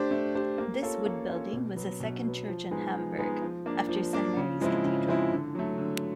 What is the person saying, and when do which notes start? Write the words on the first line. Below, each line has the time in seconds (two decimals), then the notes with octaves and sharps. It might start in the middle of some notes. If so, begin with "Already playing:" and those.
This wood building was the second church in Hamburg, after Saint Mary's Cathedral.
Already playing: A3 D4 G4 C5
0.11 A3
0.35 D4 G4 C5
0.58 A#3
0.82 C#4 F4 A4 C#5
1.06 A#3
1.29 C#4 F4 A4 C#5
1.53 B2
1.77 F#3 B3
2.00 B2
2.24 F#3 B3
2.48 F3
2.71 G#3 B3 D#4 G#4
2.95 F3
3.18 G#3 B3 D#4 G#4
3.42 F3
3.66 A#3 D4
3.89 F3
4.13 A#3 D4
4.37 C#3
4.61 F3 G#3 C4 E4
4.85 C#3
5.07 F3 G#3 C4 E4
5.31 D3
5.55 F#3 A3
5.78 D3